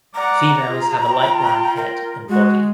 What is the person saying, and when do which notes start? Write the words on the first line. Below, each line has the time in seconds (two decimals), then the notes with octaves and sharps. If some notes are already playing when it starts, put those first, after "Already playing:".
Females have a light brown head and body.
0.15 D5 F#5 A#5
0.66 F4 G#4
1.07 F4 G5
1.76 A#4
2.29 G#3 F#4